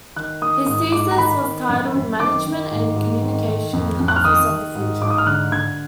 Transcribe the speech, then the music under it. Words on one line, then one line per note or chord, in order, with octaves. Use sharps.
His thesis was titled Management and Communication in the Office of the Future.
D#3 F#6
D#3 D#6
G#2 D#6
G#2 D6
A#5
D#3 B5
D#3
F#2
F#2
D#3 D6
D#3
G#2
G#2
D#3
D#3
F2
F2
F#6
F6
D#3 D#6
D#3
G#2
G#2 D6
D#6
F6
D3 F#6
D3 G#6